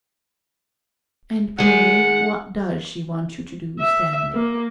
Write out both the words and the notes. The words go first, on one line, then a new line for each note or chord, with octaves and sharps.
'And pray, what does she want you to do, Stanley?'
D#3 G#3 F#5
E5
A#3